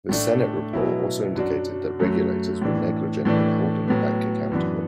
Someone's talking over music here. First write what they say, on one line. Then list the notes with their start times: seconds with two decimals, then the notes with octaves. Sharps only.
The Senate report also indicated that regulators were negligent in holding the bank accountable.
0.09 A2 A3 D4
0.73 B2 F#3 B3 E4
1.35 F#2 F#3 D4 F#4
1.99 F#2 F#3 A3
2.62 A2 E3 D4
3.25 A2 E3 A3 D4
3.88 A2 F#3 B3
4.51 F#2 E3 B3 D4